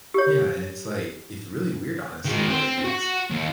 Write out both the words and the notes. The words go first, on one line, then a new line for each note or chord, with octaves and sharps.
Yeah. And it's, like, it's really weird, honestly. Like, it's
G4 C#5
D#3 G#3
C4
F#4 F#5
D#2